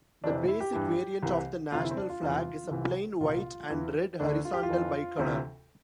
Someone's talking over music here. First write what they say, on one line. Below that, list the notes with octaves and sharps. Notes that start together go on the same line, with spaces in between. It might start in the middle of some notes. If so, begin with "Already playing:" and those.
The basic variant of the national flag is a plain white-and-red horizontal bicolor.
F2 C3 E3 D4
E4
G4
G2 E3
C2 C3 E3
D2 C3 E3 F4
E4
C4
D4
F4
E2 C3 E3
C2 C3 E3
C2 A#2 F4
E2 E3
D2 D3 D4
F4
G4
F4
F2 E3
D2 C3 E3